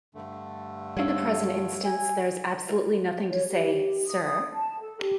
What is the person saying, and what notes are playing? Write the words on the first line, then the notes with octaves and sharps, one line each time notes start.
In the present instance, there is absolutely nothing to say 'Sir?'
G2 D3 A3
G3 C#5 F5 E6
G#5
C#5
G4
D#6
A5
A4
G4